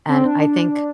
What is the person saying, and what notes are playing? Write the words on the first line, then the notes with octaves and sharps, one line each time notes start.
and I think
C4
D4